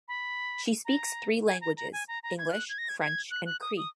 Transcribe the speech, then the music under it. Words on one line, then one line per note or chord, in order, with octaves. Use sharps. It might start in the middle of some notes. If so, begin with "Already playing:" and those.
She speaks three languages: English, French, and Cree.
B5
A#5
G#5
A#5
A#5
G#5
A#5
A#5
G#6
F6
F#6
G#6
A#6
G#6
G#6
F#6
F#6
D#6
D#6